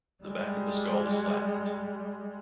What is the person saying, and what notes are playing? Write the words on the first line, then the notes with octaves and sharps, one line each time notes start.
The back of the skull is flattened.
G3 G#3